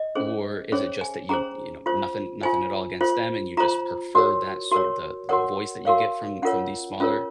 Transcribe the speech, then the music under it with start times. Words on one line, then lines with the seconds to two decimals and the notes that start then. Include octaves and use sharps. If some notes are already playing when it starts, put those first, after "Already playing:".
or is it just that you you know, nothing nothing at all against them, and you just prefer that sort the the voice that you get from from these smaller,
Already playing: D#5
0.15 C#4 G#4 C5
0.72 C#4 G#4 C5 C#5
1.01 G#5
1.29 C#4 G#4 C5 A#5
1.86 F4 C5
2.43 F4 C5 G#5
3.01 F4 C5
3.57 F4 C5 A#5
4.15 F#4 A#4 C#5
4.72 F#4 A#4 C#5
5.29 F#4 A#4 C#5 F#5
5.85 F#4 A#4 C#5 F5
6.42 C#4 F4 A#4 C#5 F#5
7.00 C#4 F4 A#4 C#5